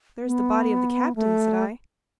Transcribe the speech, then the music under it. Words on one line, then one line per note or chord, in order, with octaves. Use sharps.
"There is the body of the captain," said I.
B3
A3